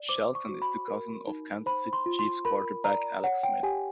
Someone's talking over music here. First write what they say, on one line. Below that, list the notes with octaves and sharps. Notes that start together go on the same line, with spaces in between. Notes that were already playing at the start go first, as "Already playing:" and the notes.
Shelton is the cousin of Kansas City Chiefs quarterback Alex Smith.
Already playing: D5
C5 D6
C#6
F#4
B5
A#4
D#4
C5 B5
C6
F4
C6
A#4 B5
D5 A#5
C#5 F#5
G5
G4 G#5